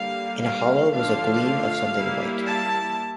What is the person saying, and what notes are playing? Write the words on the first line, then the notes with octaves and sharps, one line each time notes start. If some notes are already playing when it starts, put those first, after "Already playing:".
In a hollow was a gleam of something white.
Already playing: D3 G3 A#3 F5
F5
D3 F3 A3 D4 F4 F5
G3 A#3 E4
A5